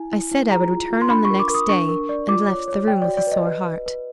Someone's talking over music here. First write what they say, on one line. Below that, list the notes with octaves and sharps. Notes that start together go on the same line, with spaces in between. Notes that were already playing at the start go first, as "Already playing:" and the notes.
I said I would return on the next day; and left the room with a sore heart.
Already playing: E4 G#5
E4
E4
G#4 A#5
F4
F4
C6
D4 B5
C#6
A#4
D6
A#4
D#6
D4 C#6
A#4
D5
F4 D6
C#5
C#5
D5 G5
D5
F#4
D5
B4 D#5
B4
B4
B4